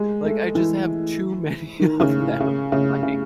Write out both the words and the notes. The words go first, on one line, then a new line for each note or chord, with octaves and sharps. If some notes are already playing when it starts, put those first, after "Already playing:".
like, I just have too many of them, like
Already playing: G#3
A3
E3
D#3
C#3
A2
C#3
C#3
C#3